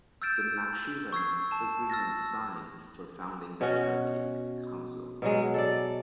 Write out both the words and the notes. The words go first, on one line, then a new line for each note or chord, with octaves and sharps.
The Nakhchivan Agreement signed for founding the Turkic Council.
E6 F6 G6 A6 D7 E7
C#6 E6 G#6 C7
A5 E7
E6 F6 A6 A#6
B2 C#4 F#4
B2 F#3 G#3
A4 D5